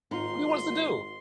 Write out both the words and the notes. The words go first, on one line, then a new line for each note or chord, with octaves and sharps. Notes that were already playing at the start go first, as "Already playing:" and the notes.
What do you want us to do?
G#1 D#4 F4 C6